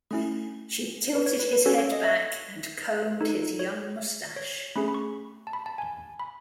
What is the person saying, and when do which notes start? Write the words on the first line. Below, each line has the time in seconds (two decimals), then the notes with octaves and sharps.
She tilted his head back and combed his young moustache.
0.11 A3 C#4 E4
1.15 B4
1.26 C#5
1.39 B4
1.53 B4
1.66 C#4 F#4 A4 C#5
1.78 C#5
1.92 D#5
2.04 E5
3.21 D#4 A4
3.59 C#5
4.36 C#5
4.76 A3 C#4 G#4 B5
4.88 B5
4.94 C#6
5.47 A5
5.53 B5
5.66 A5
5.78 G#5
6.20 B5